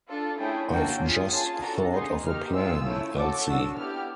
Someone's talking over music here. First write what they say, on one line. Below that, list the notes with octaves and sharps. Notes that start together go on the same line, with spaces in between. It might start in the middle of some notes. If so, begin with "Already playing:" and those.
I’ve just thought of a plan, Elsie.
D4 F4 A4
A3 C#4 E4 G#4 G5
A#3 D4 F#4 A4 G5
C#4 F4 G#4
C#4 F4 G#4 A5
D4 F#4 A4 A#5
B3 D#4 G#4 C6
A#3 D#4 G4 F6
C4 F4 G#4 E6
A3 C#4 E4
C#4 F#4 A4 D6
D4 F#4 A4 E6
B3 E4 G4 F6